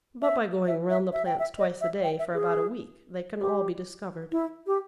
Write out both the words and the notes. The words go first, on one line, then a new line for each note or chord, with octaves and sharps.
But by going round the plants twice a day for about a week they can all be discovered.
E5
E5
E5
E5
G5
E5
D#5
E5
G5
E5
G#4
G4
E4
G4